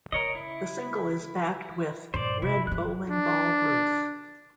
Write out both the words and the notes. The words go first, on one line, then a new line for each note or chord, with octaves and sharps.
The single is backed with "Red Bowling Ball Ruth".
C#3 A#4 C#5 D#5
E4
G2 A#2 C5 D5
C3 E4
G2 F3 F#6
D4